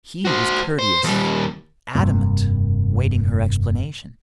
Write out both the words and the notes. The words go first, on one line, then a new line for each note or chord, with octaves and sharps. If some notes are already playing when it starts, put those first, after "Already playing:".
He was courteous, adamant, waiting her explanation.
F#4 C5
C5
D#2 G3
F1 G2 C3 A#3